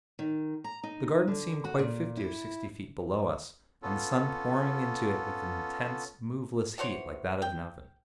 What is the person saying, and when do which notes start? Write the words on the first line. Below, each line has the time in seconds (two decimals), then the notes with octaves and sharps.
The garden seemed quite fifty or sixty feet below us, and the sun pouring into it with an intense, moveless heat like that of an oven.
0.19 D#3
0.64 A#5
0.83 D#4
1.27 D3
1.64 F#4
1.79 A#2
2.17 E4
3.83 B3 C#4 F4 A4
6.78 E3 F#4 C5 C#5
7.42 G5